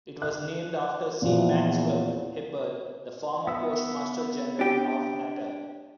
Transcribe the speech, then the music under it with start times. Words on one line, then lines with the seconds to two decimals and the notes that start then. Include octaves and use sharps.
It was named after C. Maxwell-Hibberd, the former postmaster-general of Natal.
0.22 F#6
1.22 E2 A#2 F3
3.47 B3 E5
4.59 D4 G4